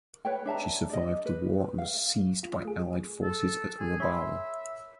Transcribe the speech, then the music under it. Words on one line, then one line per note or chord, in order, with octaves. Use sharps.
She survived the war and was seized by allied forces at Rabaul.
B4 C#5 G5
D4 E5 A5 A#5
D5 D#5
B4
F5
F4
A3 G#4
A4
G#4
C#5 E5 B5 C6